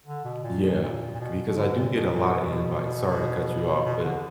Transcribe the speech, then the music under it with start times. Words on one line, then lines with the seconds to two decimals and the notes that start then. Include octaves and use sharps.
Yeah, c because I do get a lotta invites. Sorry to cut you off, but
0.06 D3
0.25 B2
0.44 A#2
0.63 B2
0.82 A#2
1.14 A#2
1.20 B2
1.47 B2
1.57 D3
1.76 A#2
1.96 B2
2.15 A#2
2.33 B2
3.10 B2
3.85 B2
4.04 D3